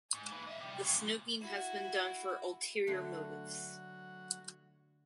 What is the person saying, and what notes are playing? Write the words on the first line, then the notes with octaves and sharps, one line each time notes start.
The snooping has been done for ulterior motives.
G#2
A#3 B4
D#5 E5
C3 G3
F#2 C#3
A#2 F3
E4 F#4
D3 F#3 A3 F#4 C6